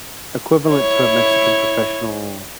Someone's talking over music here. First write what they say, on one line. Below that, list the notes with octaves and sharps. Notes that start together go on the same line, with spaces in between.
equivalent to a Mexican professional
E4 C#5